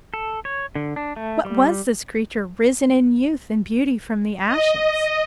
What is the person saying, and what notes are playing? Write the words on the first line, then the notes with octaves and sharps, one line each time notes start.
What was this creature risen in youth and beauty from the ashes?
A4
C#5
D3
D4
A3
G3
D#5